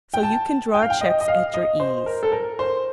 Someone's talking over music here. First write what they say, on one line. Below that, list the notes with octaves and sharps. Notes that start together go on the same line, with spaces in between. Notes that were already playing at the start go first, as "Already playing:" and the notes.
So you can draw cheques at your ease.'
G5
A5
G5
F5
G5
D#5
D#5
F5
D#5
C5
A#4
A4
A#4
C5